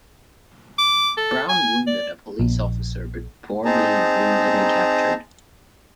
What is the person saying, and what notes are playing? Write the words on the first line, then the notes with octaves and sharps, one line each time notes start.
Brown wounded a police officer before being wounded and captured.
D6
A4
G#5
D5
A#1
C4 D#4 G#4 A5 A#5